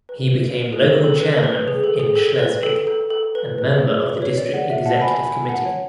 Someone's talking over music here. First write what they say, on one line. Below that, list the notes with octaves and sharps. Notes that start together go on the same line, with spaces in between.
He became local chairman in Schleswig and member of the district executive committee.
B4
G#4
A4
A4
B4
B4
G#4
A4
G#4
A4
B4
A4
A4
A4
B4
B4
G#4
B4
C#5
D5
F#5
E5
F#5 A5
G#5 B5
G#5 B5
F#5 A5
C#5